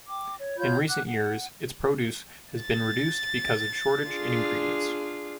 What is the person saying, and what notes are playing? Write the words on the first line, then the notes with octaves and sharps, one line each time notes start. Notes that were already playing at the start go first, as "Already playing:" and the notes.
In recent years its produce has been reduced because of shortage in ingredients.
G5 D6
C#5
F4 C#5 B5 G6
F#5 D6 F#6
F#5
A6
D4 F4 G#4